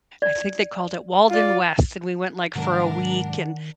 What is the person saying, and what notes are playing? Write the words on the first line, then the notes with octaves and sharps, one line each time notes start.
I think they called it Walden West, and we went, like, for a week and,
D5
F4 D5
G#2 C3 D#3 F#3 D4 A#4 F#5